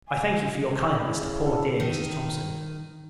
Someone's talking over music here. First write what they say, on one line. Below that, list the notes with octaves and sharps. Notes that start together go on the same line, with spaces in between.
I thank you for your kindness to poor dear Mrs. Thomson.
G#5
E4
C#3
A4
D#3